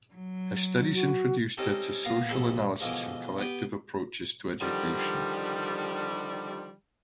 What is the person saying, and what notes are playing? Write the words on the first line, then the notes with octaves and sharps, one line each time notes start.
Her studies introduced her to social analysis and collective approaches to education.
F#3
F#4
G3 C4 C#4 D#4 G4 A4
A#2 B3 F5 A#5
A#1 C3 G#3 A4 B5
B2 D3 E3 F3 G#3
B3 G4 B4 G5
D3 D#3 F3 G3